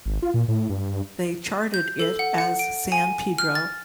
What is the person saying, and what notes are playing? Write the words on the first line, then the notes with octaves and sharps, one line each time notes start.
They charted it as "San Pedro".
G#1
F4
A#2
A2
G2
G6
A4
F#5
F#5
D7
G#5
F6
A6